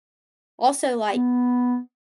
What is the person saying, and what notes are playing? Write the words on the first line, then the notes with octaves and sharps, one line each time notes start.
also, like,
B3